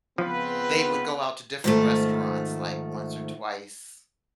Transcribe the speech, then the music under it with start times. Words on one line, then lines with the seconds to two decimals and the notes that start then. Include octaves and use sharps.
they would go out to different restaurants, like, once or twice.
0.18 C#2 F3 B3 C4 F4 B4
1.64 G#2 D#3 F3 G3 A3